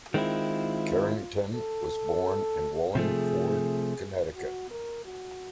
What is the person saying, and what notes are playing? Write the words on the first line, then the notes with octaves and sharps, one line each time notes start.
Carrington was born in Wallingford, Connecticut.
D#3 G#3 C4 E4 F4
A4
C3 F3 A3 G#4
F#4
A#4
F#4